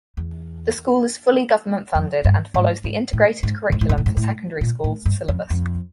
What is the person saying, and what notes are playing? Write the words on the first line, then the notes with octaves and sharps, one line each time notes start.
The school is fully government-funded and follows the Integrated Curriculum for Secondary Schools syllabus.
E2
F2
G2
G#2
G#2
A2
G#2
G#2
A2
G#2
A2
G#2
A2
A#2
A2
G2
F2
F2